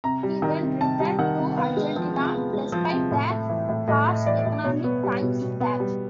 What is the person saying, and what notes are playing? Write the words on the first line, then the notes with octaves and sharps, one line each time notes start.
He then returned to Argentina, despite the harsh economic times there.
C3 A#5
G3
D#3 A#5
C3
C3 A5
G3
D#3 F#5
C3
B3 F5
G#3
F3
C3
B3
G#3
F3
C3
A2
A3
E3
A2
A2 D#5
A3
E3 D5
A2
B2 C#5
B3
G3
B2
B2
B3
G3